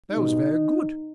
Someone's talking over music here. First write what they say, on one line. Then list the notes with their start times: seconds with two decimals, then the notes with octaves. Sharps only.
That was very good!
0.10 B2 G3 D#4